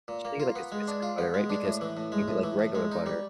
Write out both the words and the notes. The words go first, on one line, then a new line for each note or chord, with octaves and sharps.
she had to get, like, a specific butter, right, because when you get, like, regular butter,
A#2
A#3
F4
B3
G#3
D4
F4
B3
G#3
D4
A2
E3
A2
G#3
A2
E3
A2
G#3
D#4
G3